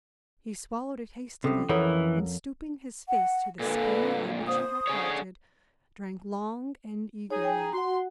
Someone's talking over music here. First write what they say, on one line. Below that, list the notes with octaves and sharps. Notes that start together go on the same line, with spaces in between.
He swallowed it hastily, and stooping his face to the spring by which he had halted, drank long and eagerly.
C2 C3 C#4 A4
F2 E3 A4 A#4 C#5 F#5
F#5
A#2 D3 A4 B4
C5 D#6
D3 G#4 C#5
D#4 G#4 C#5
G5 G#5
A#5
F#4 F#5 C6